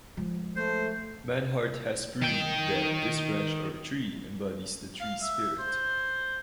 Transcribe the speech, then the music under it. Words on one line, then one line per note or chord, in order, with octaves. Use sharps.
Mannhardt has proved that this branch or tree embodies the tree-spirit.
F3 G#3
A3 C5
D#3 G5
F5
E5
C5